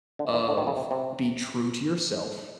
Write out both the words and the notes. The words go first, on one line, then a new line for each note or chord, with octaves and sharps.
of, "Be true to yourself
D3
E3
D3
D#3
C#3
C3
C3